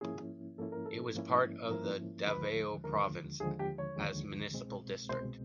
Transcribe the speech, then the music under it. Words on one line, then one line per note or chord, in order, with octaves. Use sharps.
It was part of the Davao province as Municipal District.
G#2 F3 A#3 C#4 E4 G#4
G#2 F3 A#3 C#4 E4 A4
A#4
A4
G#2 F3 A#3 C#4 E4
G#2 F3 A#3 C#4 E4 A#4
D#2 D3 F3 G#3 B4
D#2 D3 F3 G#3 A#4
D#2 D3 F3 G#3 G#4
G4
C#5
D#2 D3 F3 G#3
C2 B2 G#3 C4
C2 B2 G#3 C4 C5